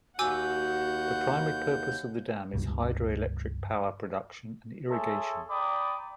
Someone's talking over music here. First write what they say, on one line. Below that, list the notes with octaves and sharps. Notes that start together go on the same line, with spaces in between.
The primary purpose of the dam is hydroelectric power production and irrigation.
D#2 F#4 F#5 G#5 D6 E6 G6
G1 C#2 G2
G#4 A4 C#5 E5 G#5 C6
D5 G5 A#5 B5 D6 D#6